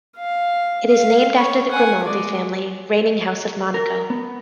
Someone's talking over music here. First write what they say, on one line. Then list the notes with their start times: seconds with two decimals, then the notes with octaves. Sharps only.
It is named after the Grimaldi family, reigning house of Monaco.
0.17 F5
0.89 F5
1.37 C#5
1.71 F#5 G#5
2.03 G#3 D5
3.74 A#4
4.10 B3